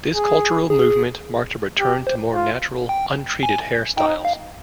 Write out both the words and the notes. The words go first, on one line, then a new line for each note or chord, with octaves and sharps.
This cultural movement marked a return to more natural, untreated hairstyles.
G#4
G#4
G4
C5
F4
G5
G#5
D#4 G5
F5